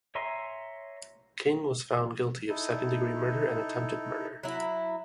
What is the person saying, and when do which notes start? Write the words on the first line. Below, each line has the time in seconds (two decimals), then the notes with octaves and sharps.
King was found guilty of second-degree murder and attempted murder.
0.15 C#5 E5 G#5 A#5 C6
2.49 D#4 E4 A4
4.43 F#3 E4